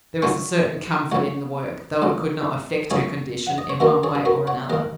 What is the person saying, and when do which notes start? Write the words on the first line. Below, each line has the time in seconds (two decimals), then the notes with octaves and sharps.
There was a certain comfort in the work, though it could not affect her condition in one way or another.
0.22 C#2 C#3 F#3 C#4 G#5 C#6
1.12 C#2 C#3 F#3 C#4 C#5 F#5
2.02 C#2 C#3 F#3 C#4
2.91 C#2 C#3 F#3 C#4 G#4 C#5
3.47 F#5
3.58 D#5
3.69 C#5
3.80 D#2 D#3 A#3 F#4 A#4
4.03 G#4 C#5
4.15 G#4
4.25 F#4 A#4
4.47 C#5 F#5
4.70 D#2 D#3 A#3 A#4 D#5